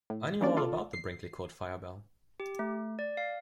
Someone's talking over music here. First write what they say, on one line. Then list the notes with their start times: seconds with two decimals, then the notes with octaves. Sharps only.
I knew all about the Brinkley Court fire bell.
0.10 A2
0.41 E3 G3 A#3 C#4 D4 D5
0.57 F4 A4 D5
0.93 C7
2.40 G4
2.59 A3
2.99 D5
3.17 F5